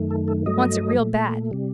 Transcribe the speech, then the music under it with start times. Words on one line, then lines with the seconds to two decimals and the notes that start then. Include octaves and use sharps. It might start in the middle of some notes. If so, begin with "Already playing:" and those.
Wants it real bad.
Already playing: F#2 D#3 A3
0.11 A4
0.28 A4
0.46 G2 F#3 A3 D#5
0.99 A#2 A3
1.51 C3 G3